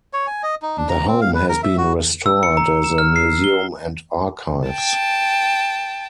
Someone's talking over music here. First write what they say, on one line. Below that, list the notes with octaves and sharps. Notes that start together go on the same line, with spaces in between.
The home has been restored as a museum and archives.
C#5
G#5
D#5
D#4
D4
A#5
C4
F5
B4
A#4
E5
F#4
E6
C#7
A#5
E7
F6
C7
G7
G5 A5